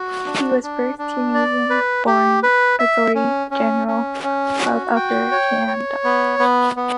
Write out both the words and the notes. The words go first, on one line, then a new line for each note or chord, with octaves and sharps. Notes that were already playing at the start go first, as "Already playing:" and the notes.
He was the first Canadian-born attorney general of Upper Canada.
Already playing: F#4
D4
D4
D4
D5
B4
G4
B4
E5
C#4
C#4
C#4
C#4
F#4
G5
C#5
C#5
B3
B3
B3